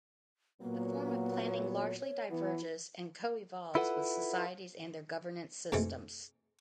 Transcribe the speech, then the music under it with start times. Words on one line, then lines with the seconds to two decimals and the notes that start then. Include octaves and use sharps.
The form of planning largely diverges and co-evolves with societies and their governance systems.
0.62 A#2 F#3 A#3 B3
1.44 C#5
1.99 C#5
2.31 E3 B3 E4
3.75 E4 F4 A4 B4 F#5
5.72 F2 G#2 B2 E3 A3